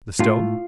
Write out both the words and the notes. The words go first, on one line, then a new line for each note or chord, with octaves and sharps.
The stone?
A2 F4